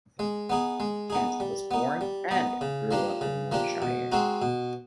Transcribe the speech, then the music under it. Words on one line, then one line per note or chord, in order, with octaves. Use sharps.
Kent was born and grew up in Yorkshire.
G#3
B3 D#4 G#4
G#3
B3 D#4 G#4
G3
B3 D#4
G3
B3 D#4
C#3
F3 A#3 D4 G4
C#3
F3 A#3 D4 G4
B2
G#3 C4 D#4 F#4
B2